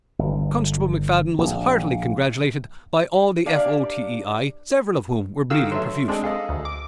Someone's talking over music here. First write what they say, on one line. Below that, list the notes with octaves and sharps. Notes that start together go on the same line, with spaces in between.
Constable MacFadden was heartily congratulated by all the F.O.T.E.I., several of whom were bleeding profusely.
G1
A#1
A#3 D4 G4 D5 E5 F5
D3 D#3 F#4 F5 E6
F#3 A3 E5 C6
G#3 C4 D4 G#4
G#4 A4 D#5 F5
D2
D6